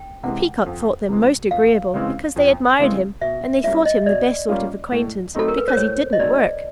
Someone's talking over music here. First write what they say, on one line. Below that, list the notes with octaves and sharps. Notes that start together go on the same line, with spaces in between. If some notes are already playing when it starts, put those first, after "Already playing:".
The Peacock thought them most agreeable, because they admired him, and they thought him the best sort of acquaintance, because he didn't work.
Already playing: G5
C3 E3 G#3 F#5
F2
C3 E3 G#3
F2 F5
C#3 E3 G#3 C4
F2
C#3 E3 G#3 C4
B2 E5
G3 A#3 C#4 F4 E5
D#5
B2 D5
G3 A#3 C#4 F4
A2
F#3 A3 C4 D#4 A4
A#4
B4
C5
A2 C#5
D#5
F#3 A3 C4 D#4 D5